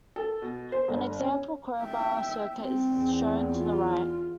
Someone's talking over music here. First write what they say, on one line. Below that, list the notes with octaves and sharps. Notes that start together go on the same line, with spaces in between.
An example crowbar circuit is shown to the right.
A4
B2
C5
G1
C#4
E5 G5
C4
E2
F4